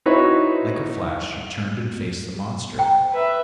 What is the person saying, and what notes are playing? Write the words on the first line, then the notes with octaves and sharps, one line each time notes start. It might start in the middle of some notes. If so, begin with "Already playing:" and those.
Like a flash she turned and faced the monster.
C4 D#4 E4 F#4 B4 C#5
C5 G5 A#5
B4 E5